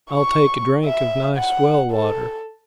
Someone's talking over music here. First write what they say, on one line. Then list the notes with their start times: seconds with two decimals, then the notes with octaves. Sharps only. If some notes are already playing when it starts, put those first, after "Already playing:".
I'll take a drink of nice well-water.
0.11 C#6
0.85 E5
1.37 F#5
1.92 A4